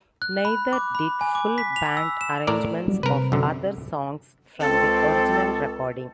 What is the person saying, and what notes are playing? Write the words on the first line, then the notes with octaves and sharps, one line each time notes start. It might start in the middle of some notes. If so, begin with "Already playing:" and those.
Neither did full-band arrangements of other songs from the original recording.
F#6
B5
D6
B5
G#5
D6
B6
F7
E6
E7
A2 A#4 D5
F#3 G3
C3 C4 A#4 B4
F#2 D3
C#2 C4 A4